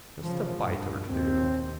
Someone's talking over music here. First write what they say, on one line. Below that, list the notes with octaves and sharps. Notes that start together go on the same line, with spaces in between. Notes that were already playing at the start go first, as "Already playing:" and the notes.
Just a bite or two.
C#3 F3
G2 A#2
D#2 C4